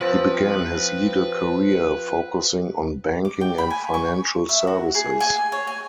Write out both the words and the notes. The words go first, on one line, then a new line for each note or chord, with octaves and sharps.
He began his legal career focusing on banking and financial services.
F3 C4 B4 A5
D6
G5
B5
G#5
C#6
E5
F#4
G#4
G#5
C#5
G#5